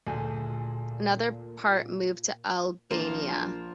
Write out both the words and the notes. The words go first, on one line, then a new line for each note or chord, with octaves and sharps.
Another part moved to Albania.
D2 A#2 G#4 G#5
A#1 F3 A#3 F4